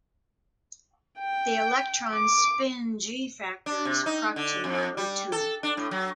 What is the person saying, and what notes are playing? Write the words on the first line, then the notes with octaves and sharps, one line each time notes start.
The electron spin g-factor is approximately two.
G5
D6
D4
C3
D#4
D3
F2
G3
A4
D4
A2
F#3